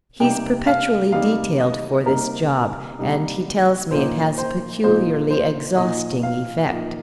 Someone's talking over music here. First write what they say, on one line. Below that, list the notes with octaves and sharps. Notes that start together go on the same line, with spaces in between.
He's perpetually detailed for this job, and he tells me it has a peculiarly exhausting effect.
C3 G3 A#3 D#4 G5
F5
C3 G3 A#3 D#4 F5
D#5
C3 G3 A#3 D#4 A#4
C3 G3 A#3 D#4
A#2 F3 A#3 D#4 C5
C5
A#2 F3 A#3 D#4 C5
C5
A#2 F3 A#3 D#4 D#5
F5
A#2 F3 A#3 D#4